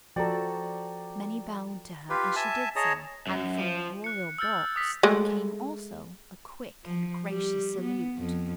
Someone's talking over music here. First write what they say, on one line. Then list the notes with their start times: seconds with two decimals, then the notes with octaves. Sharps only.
Many bowed to her as she did so, and from the royal box there came also a quick and gracious salute.
0.16 F3 F#4 A4 D5 G5 A#5
2.10 F4 G4 B4
2.36 E5 G#5 A5
2.76 G#4 C#5 D#5 A5 A#5
3.27 F#2
3.58 F3
4.04 F#6 C#7
4.38 E6 F6 G6 A6
4.76 D#6 B6
5.03 G#3 A3
6.85 F3
7.27 G3
7.81 B3
8.17 F2